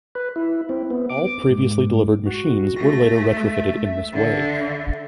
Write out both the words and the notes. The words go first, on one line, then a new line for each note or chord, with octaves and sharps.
All previously delivered machines were later retrofitted in this way.
B4
E4
C4
B3
D6
G#2
F#4
A3 A#6
E5
D3